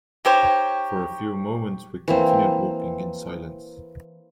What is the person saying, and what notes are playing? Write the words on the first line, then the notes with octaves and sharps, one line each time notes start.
For a few moments, we continued walking in silence.
D#4 G4 C5 C#5
E3 A#3 C4